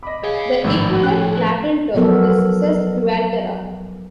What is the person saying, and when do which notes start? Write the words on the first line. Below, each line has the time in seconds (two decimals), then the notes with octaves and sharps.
The equivalent Latin term is sesquialtera.
0.03 D#5 B5 D6
0.24 G#4 C#5 F5
0.64 G#1 A2 F3 F#4 E6
1.03 C#4 F#6
1.95 F3 F#3 B3 A4 A#4